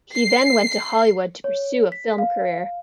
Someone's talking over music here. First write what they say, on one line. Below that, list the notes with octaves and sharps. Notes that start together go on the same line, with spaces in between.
He then went to Hollywood to pursue a film career.
C7
C#5
B6
F5